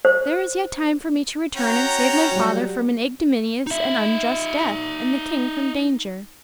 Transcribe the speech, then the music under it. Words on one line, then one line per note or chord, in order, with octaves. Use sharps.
"There is yet time for me to return and save my father from an ignominious and unjust death, and the King from danger."
C5
C#4 F#4 G5 A#5
F#3 G3
D#4 E5